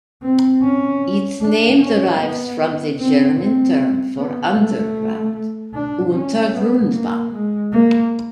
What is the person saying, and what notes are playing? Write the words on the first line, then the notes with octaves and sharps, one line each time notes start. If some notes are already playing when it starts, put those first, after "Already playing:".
Its name derives from the German term for underground, Untergrundbahn.
C4
C#4
D4
C#4
B3
C4
C4
B3
A3
D4
C#4
B3
A#3
G#3
A#3